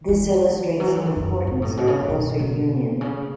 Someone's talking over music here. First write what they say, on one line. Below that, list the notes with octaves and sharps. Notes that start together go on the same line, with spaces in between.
This illustrates the importance of a closer union.
E3
F#3
E3
D3
C#3
F#2
G#2
A2
B2
C#3
F#2
B2
B2
C#3